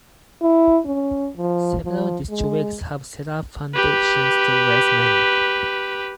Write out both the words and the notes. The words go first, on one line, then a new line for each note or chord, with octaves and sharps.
Several districts have set up foundations to raise money.
E4
C#4
F3
F3
G#3
G4 B4